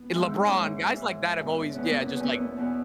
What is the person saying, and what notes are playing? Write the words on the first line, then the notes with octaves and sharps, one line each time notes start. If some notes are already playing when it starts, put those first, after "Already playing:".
LeBron, guys like that have always yeah, just like,
Already playing: B3
G#2 E3 G#3
E4
D#4
C#4
G#2 E3 A#3
G#2 E3
E2 B2
C#4
E2 B2 B3
A#3
C#4
B3
E2 B2 C#4
B3
A#3
B3
E2 B2